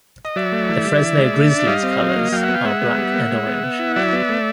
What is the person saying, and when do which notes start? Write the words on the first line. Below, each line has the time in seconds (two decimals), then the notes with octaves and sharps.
The Fresno Grizzlies' colors are black and orange.
0.25 D#5
0.36 F#3 D5 E5
0.52 A3
0.69 E3
0.85 G3
1.02 E3
1.18 G#3
1.34 A3
1.50 D4
1.67 G3 D#5 F5
1.83 C4
2.00 F#3
2.16 A#3
2.32 F#3 F5 G5
2.43 E5 F#5
2.49 B3
2.54 F5 G5
2.65 G#3 E5 F#5
2.81 B3
2.98 G3
3.14 A#3
3.31 G#3
3.47 B3
3.64 B3
3.79 E4
3.96 F#3 D5 E5
4.13 B3
4.29 A3